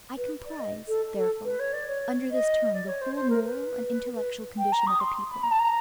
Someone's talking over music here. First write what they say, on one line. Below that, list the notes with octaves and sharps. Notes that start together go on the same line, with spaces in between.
I comprise, therefore, under this term the whole moral and intellectual condition of a people.
B4
D5
D#5
A4
A4
B4
C#5
D5
C#5
D#5
D5
C#5
C5
C5
A#4
B4
B4
G5
A#5
D#6
C6
B5
A#5
A5
A#5